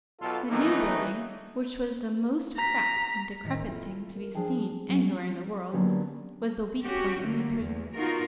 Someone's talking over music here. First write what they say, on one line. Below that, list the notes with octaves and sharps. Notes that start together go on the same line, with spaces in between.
The New Building, which was the most cracked and decrepit thing to be seen anywhere in the world, was the weak point in the prison.
B1 F4 A4
D#3 E3 F#3 A3 A#3 D#4
A#5 B6
A2 D#3
E4 F4 A4
A#4
F3 D4 G#4 G5 A5
F#3
D3 F#3 A#3 B3 C#4 G4
C#4 F#4 G4
D3 F#3 A3 A#3
E2 A3
B3 D#4 F4 F#4 A#4